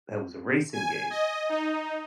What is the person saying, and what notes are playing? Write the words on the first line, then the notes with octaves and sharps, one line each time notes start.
It was a racing game,
G#5
D#5
D#4